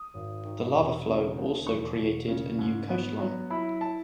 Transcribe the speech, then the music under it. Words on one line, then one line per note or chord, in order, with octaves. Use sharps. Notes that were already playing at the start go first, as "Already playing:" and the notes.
The lava flow also created a new coastline.
Already playing: D#6
G#1
D#3
E1
C#3
D#2
E1 C#6
E1
C#3
G#2
B3
F#3
E4 B5
A5